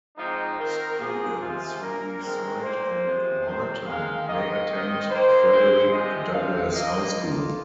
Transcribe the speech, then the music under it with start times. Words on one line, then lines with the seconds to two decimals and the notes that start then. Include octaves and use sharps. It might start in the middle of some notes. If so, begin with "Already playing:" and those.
Students who reside in Marlton may attend Frederick Douglass High School.
0.17 G#2 F3 C4 D#4
0.58 D#3 C4 A#4
0.99 G#2 F3 A#3 G#4
1.40 C3 F3 G#3 C4 F4
1.81 A#2 A#3 A#4
2.22 D#3 G#3 C4 A#4
2.63 A#2 A#3 C5
3.04 C3 F3 G#3
3.45 C3 D#3 C4
3.87 D#3 G#3 C4 F5
4.27 G#2 D#3 A#3 D#5
4.68 D#3 C4
5.10 D#3 A#3 C5
5.51 A#2 G#3 C4
5.92 C3 F3 G#3 C4 D#5
6.33 C3 F3 C4 F5
6.74 D#3 A#3 D#5
7.15 A#2 A#3 F4